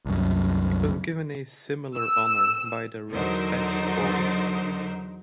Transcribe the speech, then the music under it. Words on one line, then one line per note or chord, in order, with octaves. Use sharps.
He was given a similar honour by the Red Patch Boys.
C2 F#2
E6
E2 D3 F#3 D#4 A#4 C5